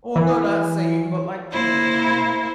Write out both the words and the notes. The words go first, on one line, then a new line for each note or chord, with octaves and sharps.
Well, no, not singing, but, like, you know, even in
E3
A#3 E4 C5